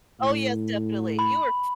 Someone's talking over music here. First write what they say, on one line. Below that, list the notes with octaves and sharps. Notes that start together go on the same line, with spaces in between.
Oh, yes, definitely. You are f
A2
B5